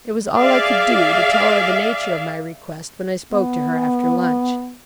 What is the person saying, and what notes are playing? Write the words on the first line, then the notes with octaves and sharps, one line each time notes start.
It was all I could do to tell her the nature of my request, when I spoke to her after lunch.
G#4 D5 E5 F5
B3